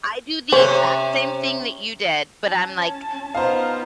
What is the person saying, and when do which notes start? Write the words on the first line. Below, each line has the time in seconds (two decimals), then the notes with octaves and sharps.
I do the exact same thing that you did," but I'm like,
0.52 C3 C#4 C5
2.44 C#4 A5
3.35 B3 D#4 F4 C5 F5 A#5